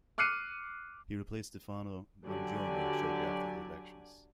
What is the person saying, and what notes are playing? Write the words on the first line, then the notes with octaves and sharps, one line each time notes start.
He replaced Stefano Mangione shortly after the elections.
D6 F6 F#6 C7 C#7 D#7
D3 F#3 G4 D5 G#5